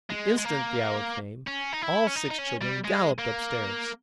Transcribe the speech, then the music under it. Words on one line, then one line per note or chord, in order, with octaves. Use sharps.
The instant the hour came, all six children galloped up stairs.
G#3
G#3
A#3
C#4
D#4
E4
C#4
D#4
D#4
C#4
G3
G#3
A#3